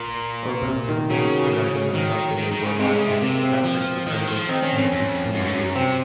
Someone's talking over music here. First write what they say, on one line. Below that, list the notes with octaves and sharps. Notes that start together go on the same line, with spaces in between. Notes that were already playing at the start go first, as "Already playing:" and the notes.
Urban citizens relied on a healthy labor market, access to credit, and consumer goods.
Already playing: A#2
C3
D#3
C#3 F#3
D#3
D#3
D#3
C#3
C3 G#3
C#3
C3
C3 A#3
C4
F3
D#3
F3
D#3 C4
D#3 C#4
F2 C#4
F2
F#2
G#2
F#2
C3 C4